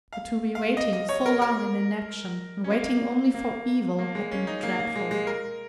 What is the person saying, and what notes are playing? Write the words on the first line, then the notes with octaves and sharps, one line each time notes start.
But to be waiting so long in inaction, and waiting only for evil, had been dreadful.
F5
F5
D#5
D#5
C#5
A#4
A#4
C#4
A#3
A#3
A#3
G#3
C#4
D#4
A#3
A#3
G#3
G#3
A#4